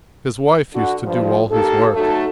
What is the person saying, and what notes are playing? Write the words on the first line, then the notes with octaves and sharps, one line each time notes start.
His wife used to do all his work.
D3 F#4
G2 F3
A#3 D#4 G4 A4
F#3 A3 D#4 F#4 A4